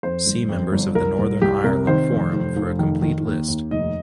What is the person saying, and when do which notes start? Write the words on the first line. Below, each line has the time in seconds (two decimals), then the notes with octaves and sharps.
See members of the Northern Ireland Forum for a complete list.
0.03 F2 C5
0.26 G1
0.49 F2
0.72 G1
0.95 C2 A#4
1.19 C2
1.42 C2 G4
1.64 C3 A#4
1.87 D#3 C5
2.11 F1
2.33 F1
2.56 F1
2.79 D#3
3.02 D#3
3.25 D#2
3.48 D#2
3.71 F1 D#5